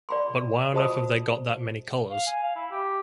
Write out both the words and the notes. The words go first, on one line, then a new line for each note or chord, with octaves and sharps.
But why on earth have they got that many colours?
D5 B5 C6
F#4 C5 D#5 A5 B5 D#6
F5
G#5
F5
E4
G4